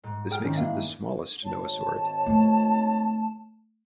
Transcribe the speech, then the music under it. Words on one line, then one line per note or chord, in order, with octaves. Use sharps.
This makes it the smallest noasaurid.
G#2
G#4 G5 F6
D#3 C#4 D4 E4
G2 G#3 A#3 F5
G#1 C#5 A5
A3